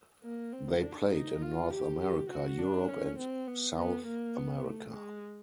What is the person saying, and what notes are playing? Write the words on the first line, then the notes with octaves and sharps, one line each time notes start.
They played in North America, Europe, and South America.
A#3
C4
D4
D#4
F4
G4
G4
F#4
D4
C#4
C4
B3
B3
A#3
B3
A3
G#3